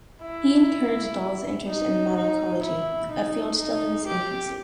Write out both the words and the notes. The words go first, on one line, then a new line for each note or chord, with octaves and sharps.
He encouraged Dall's interest in malacology, a field still in its infancy.
E4
D#4
D#4
E4
D#4
D#4
G4